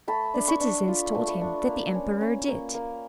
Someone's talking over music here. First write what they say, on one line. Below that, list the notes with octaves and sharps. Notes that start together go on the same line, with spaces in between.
The citizens told him that the emperor did.
A3 A5 B5
D4
B5 C#6
D4
F4
A3
B5 C#6
D4
A#3
C#4
C#4
A#3
A#3